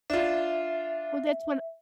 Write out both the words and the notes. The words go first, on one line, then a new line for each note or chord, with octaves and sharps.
Well, that's what
D4 F4 E5